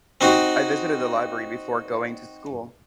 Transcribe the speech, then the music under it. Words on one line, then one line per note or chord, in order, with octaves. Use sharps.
I visited the library before going to school.
C4 D#4 F#4